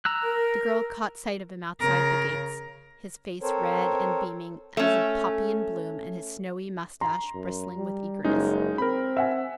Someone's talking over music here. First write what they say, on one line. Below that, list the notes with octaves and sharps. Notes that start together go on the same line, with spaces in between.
The girl caught sight of him outside the gates, his face red and beaming as a poppy in bloom and his snowy moustache bristling with eagerness.
A#5 E6 F#6
A#4
C#3 A#4
C4 A4 A#4 C5 C#5
A3 C#4
A#5 C6
F#2
G3
F#1 G#3 C#4 D#4
C4 A#4 B5
E5 F#5 G#5